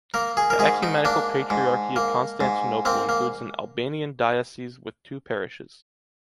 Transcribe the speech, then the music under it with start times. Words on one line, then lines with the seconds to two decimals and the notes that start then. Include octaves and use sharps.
The ecumenical patriarchy of Constantinople includes an Albanian dioceses with two parishes.
0.14 A#3 A#4
0.37 G#4
0.50 A#4
0.59 G#2 G#4
0.83 D#4
1.05 A#3 D4
1.50 G#2
1.96 A#3
2.41 G#2
2.85 A#3 C4
3.09 A#3